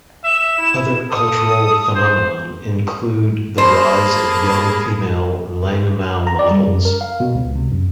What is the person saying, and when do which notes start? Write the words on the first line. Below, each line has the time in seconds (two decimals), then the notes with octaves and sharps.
Other cultural phenomenon include the rise of young female Liang mou models.
0.24 E5 E7
0.58 E4
1.10 A4 D#6
1.95 C5
3.58 A#3 G#4 C5 A5 B5
6.27 A#5
6.39 D5
6.51 G3
6.68 F#2
6.85 A#4
7.01 F5
7.20 B2
7.35 C#2
7.55 C3
7.72 F#2